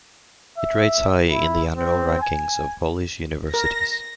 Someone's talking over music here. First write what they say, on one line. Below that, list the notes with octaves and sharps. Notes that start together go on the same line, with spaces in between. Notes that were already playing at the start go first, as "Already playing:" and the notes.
It rates high in the annual rankings of Polish universities.
E5
E4
C4
G#5
A#4 A#6